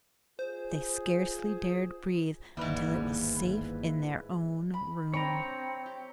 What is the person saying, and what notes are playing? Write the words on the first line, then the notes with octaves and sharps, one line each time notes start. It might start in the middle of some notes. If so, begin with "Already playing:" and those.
They scarcely dared breathe until it was safe in their own room.
F4 G#4 C5
G1 D#2 G#2 G3 A#3 E4 B4
B5
C4 D4 C#5 G5 A#5 B5
G4